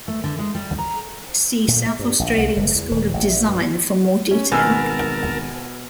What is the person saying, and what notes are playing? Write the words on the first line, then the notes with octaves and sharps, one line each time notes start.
See South Australian School of Design for more detail.
A3
D3
G#3
G3
A#5
A#2
A3
G2
A#1
C2
F#1
E2
D#1
A1
A#1
G2
C#4
G#1 B2 B3 A#4 G#5 A5 E6 F6